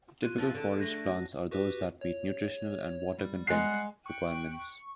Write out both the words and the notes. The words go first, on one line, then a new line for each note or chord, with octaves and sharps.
Typical forage plants are those that meet nutritional and water content requirements.
F4 F#6 G#6 D#7
F3 C4
D3 G#4
A3 A#6
F#4
F#4 G4 B4
C#5
G3
G#3 F#5 C7
G5 C#6 F#6